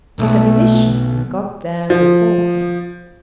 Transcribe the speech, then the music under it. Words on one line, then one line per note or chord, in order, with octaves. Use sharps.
But a militiaman got there before him.
B1 A3
F3